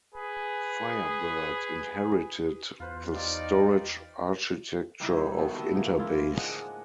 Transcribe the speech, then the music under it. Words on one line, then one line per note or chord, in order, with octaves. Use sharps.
Firebird inherited the storage architecture of Interbase.
G#4 B4
E2 F4 B4 C5
D#4 G4 D5 F5
C3 G3 D#4 E4
D#3 F#3 A3 B3
A4 D#5 E5
C#3 E3 A#3
G#2 E4 F4
G#3 D4 D#5 F#5